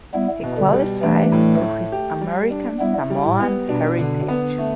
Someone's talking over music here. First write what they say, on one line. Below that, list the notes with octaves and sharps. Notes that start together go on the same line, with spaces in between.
He qualifies through his American Samoan heritage.
G3 B3 E4
B2
D3 G3
G3
E3 A3 D4
A2
A3
G4
G3
D4
G3 B3 E4
G3
A2
B3
B2 D4
D3
B3
A3